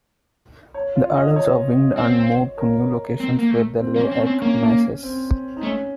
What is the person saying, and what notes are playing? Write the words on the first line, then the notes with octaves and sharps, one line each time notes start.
The adults are winged and move to new locations where they lay egg masses.
C#5
F4
D#5
C#5
C4
A#4
C4
A#3
A3
C4
A#3
C#4
C4
C#4
C4
A#3 C#4
C4
D#4
A3 C#4